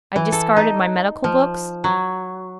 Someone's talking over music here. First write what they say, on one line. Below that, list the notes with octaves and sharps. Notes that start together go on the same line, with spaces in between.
I discarded my medical books.
E3
A4
D#4
F3
F#3